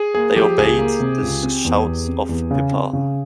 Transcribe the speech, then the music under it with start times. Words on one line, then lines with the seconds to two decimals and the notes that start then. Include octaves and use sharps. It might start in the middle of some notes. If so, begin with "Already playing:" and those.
They obeyed the shouts of Pippa.
Already playing: G#4
0.15 A#3 G#4
0.36 F3 G4
0.58 C#2 G#4
0.79 A#3
1.00 C3
1.22 C#2
1.43 C4
1.64 E2
1.85 E2
2.07 C4
2.29 E2
2.50 C#3
2.71 C4
2.93 C#3